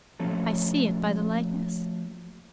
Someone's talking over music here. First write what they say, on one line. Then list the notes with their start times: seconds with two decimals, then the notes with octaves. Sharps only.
I see it by the likeness.
0.20 F3 F#3 A3 A#3 C#4 A4